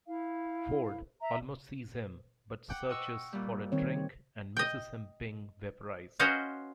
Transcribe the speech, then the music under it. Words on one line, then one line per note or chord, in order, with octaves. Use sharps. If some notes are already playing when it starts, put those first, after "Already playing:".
Ford almost sees him, but searches for a drink and misses him being vaporized.
E4 F5
E5 A#5
F#5 G5 D6
D#5 C#6 E6
A#2 G3
D#3 C4 C#5
D#5 G5
C#4 F#4 B4 C5 D#5 F5